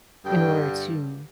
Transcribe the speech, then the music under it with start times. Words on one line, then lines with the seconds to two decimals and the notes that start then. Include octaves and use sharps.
in order to
0.24 G2 D3 G3 G5